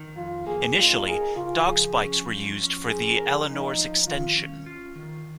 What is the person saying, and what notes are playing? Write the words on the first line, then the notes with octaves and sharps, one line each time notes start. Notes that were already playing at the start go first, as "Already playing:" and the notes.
Initially dog spikes were used for the Eleanor's extension.
Already playing: D#3
F2 F4
A#3 G#4
D#4 F4
G#4 A#4
C#3 F4
F3 G#4
C#4
F3
C#4
F3 G#4
A#4
F3 D#4
F3
D#3 F4
C#4
F4
D#3